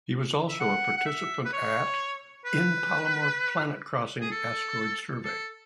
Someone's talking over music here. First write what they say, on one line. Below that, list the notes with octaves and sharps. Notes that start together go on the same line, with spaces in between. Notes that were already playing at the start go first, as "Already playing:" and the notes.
He was also a participant at in Palomar Planet-Crossing Asteroid Survey.
E5
F#5
F#5
E5
B4
C#5
B4
G#4
A4
A4